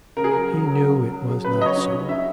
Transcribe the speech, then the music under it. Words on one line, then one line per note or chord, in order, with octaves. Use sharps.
He knew it was not so.
C#3 A#4
G#4
F#3 A#4
G#4
F#3
C#3
G#4
F#3
G#4
C#3 B4
F#3 D#5
C#5
C#4
C#4
C#4 E5